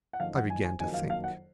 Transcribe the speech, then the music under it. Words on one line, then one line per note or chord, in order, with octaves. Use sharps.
I began to think.
F#5
F#1 F2 D#3 F5
F#5
G#5
G#5
F#1 F2 D#3 F#3 A#3 G#5
F5
F5
F#5